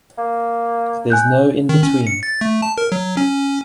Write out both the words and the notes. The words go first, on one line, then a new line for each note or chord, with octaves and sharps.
There's no in between.
A#3
G#5 F#6 G6
D#3
C#4
C#7
A6
A3
A5
A#4
F#3
C#4